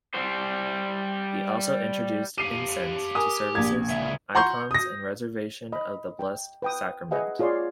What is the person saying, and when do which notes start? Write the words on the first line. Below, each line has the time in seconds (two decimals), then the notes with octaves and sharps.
He also introduced incense to services, icons and Reservation of the Blessed Sacrament.
0.14 G3 C5
2.38 G4 F5 C7 D#7
3.15 A#4 G#5 D#6
3.55 A#1 A#3 G#6
3.89 C#2 E5
4.35 F#5 A#5 C6 C#6 G6
4.71 D#6 A#6
5.72 D#5 B5
6.19 G5
6.62 B4 G5 D#6
7.11 G#4 B4 D#5 E5 F#5 G#5
7.39 F4 G#4 C#5 D5 C6